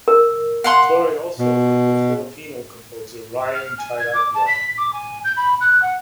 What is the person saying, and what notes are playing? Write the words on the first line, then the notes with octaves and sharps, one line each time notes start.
Torre also worked with Filipino composer Ryan Cayabyab.
A#4
F5 F#5 C6
B2
F6
G#5
G#6
D6
A5
B6
D6
G#5
G6
B5
F#6
F#5